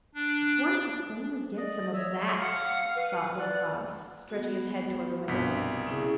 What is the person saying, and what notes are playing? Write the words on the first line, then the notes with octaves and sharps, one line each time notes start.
'If one could only get some of that!' thought Little Klaus, stretching his head towards the window.
D4
D5 D#5
C#5 E5
F5 F#5
B4
D5 F#5
B3 F#4
C2 G2 B2 B6
C#3 C#4 E4 G#4